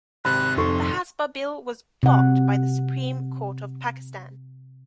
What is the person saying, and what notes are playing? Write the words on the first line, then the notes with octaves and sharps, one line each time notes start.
The Hasba bill was blocked by the Supreme Court of Pakistan.
G#1 C3 B5 F#6
F2 D#4 A4 C6 C#6
C3 F#5